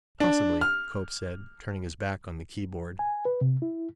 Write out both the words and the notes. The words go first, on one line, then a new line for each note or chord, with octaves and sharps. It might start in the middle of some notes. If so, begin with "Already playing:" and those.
"Possibly," Cope said, turning his back on the keyboard.
D4
F6
G#5
B4
C3
E4